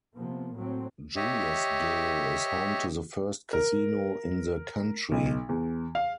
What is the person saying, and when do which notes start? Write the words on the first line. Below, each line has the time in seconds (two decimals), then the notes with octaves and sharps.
Juliasdale is home to the first casino in the country.
0.16 C3 F3 A#3 B3
0.55 A2 F#3 C4
1.16 G4 C#5 D#5 E5
3.53 A#4
5.12 B1
5.49 E2
5.95 F5